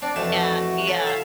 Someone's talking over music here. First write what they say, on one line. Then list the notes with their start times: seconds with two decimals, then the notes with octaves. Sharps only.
Yeah, yeah.
0.02 C4 D4 A5
0.16 F2 E3 A3 F#4 A5
0.32 F#4
0.87 F#3 E4 A4
1.07 E5 F5